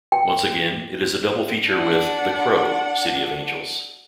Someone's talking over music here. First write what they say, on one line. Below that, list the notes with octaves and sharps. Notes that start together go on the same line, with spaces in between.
Once again, it is a double feature with "The Crow: City of Angels".
G5
D4 F#5